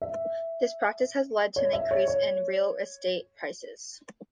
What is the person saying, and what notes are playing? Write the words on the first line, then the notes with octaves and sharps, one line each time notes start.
This practice has led to an increase in real estate prices.
E5
C#5
E5
C#5
C#5